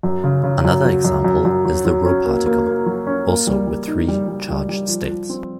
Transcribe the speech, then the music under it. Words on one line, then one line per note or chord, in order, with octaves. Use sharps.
Another example is the "rho particle", also with three charged states.
F#2
C#3
C#3
F#2
F#3
F#2
F#2
F#2
F#3
F#3
C#4
A#3
A#3
A#3
F#3
C#4
A#3
G3
G3
D#4
G3
G3
G3
G3
F3
F3
C4